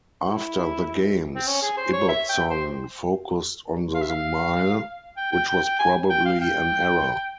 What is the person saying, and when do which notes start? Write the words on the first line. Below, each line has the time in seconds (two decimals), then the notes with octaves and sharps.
After the games, Ibbotson focused on the mile, which was probably an error.
0.23 E4
1.35 C4
1.47 C#4
1.62 G#4
1.77 C5
1.93 C#5
2.09 E5
2.29 G5
2.50 C5
3.94 F5
4.02 E5
4.10 F5
5.17 G5
5.32 G5
5.49 G5
5.64 G5
5.79 G#5
6.10 G5
6.26 F5
6.40 G5